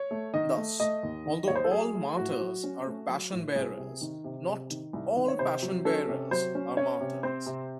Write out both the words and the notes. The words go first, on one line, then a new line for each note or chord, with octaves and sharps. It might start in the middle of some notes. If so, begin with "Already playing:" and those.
Thus, although all martyrs are passion bearers, not all passion bearers are martyrs.
Already playing: C#5
A3
D#3 D#5
A3
A3 D#5
D#2
D#3
D#2 C#5
C5
A4
F#3 G#4
A3
A2 F#4
F#3
C#4
A3
F#3
A2
C2 G#4
C3
D#3
C3
C3
D#3
C2
D#3
C#5
C3 C5
F#3
C#4 A4
C3
F#3 C5
C#4
C#4 C#5
C3
C4 C5
C3